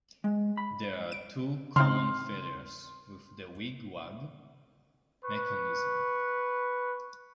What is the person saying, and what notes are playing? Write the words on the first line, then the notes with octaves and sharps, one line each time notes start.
There are two common failures with the wig-wag mechanism.
G#3
B5
D7
C#3 C4 D#4 C6 F6
B4 C#6